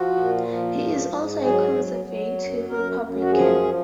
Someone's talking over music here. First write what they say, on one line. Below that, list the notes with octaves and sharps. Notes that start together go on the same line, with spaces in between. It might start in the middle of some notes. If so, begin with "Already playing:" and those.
He is also a conservative Republican.
Already playing: F3 F#4
A#2
F3
G#2
G#2
F#3 G#4
F#3
F#3
F#2
F#2 A#4
F#2
F#4
F3 G#4
F3